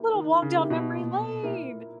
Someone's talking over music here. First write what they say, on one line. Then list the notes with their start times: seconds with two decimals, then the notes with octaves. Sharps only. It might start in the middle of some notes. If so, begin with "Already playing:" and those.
Little walk down memory lane.
Already playing: D#3 A#3 E4 G4
0.13 D#3
0.42 C#3
0.56 A#3 E4 G4
0.70 B2
0.99 A#2
1.43 A#3 E4 A#4